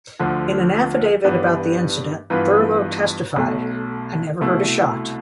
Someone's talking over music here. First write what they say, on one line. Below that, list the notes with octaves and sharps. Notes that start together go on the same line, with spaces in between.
In an affidavit about the incident, Thurlow testified, I never heard a shot.
D2 D3 F3
G2 E3 G3 B3 D4
G2 E3 B3 F4 B4
B1 B2 A3
C2 B2 A3 E4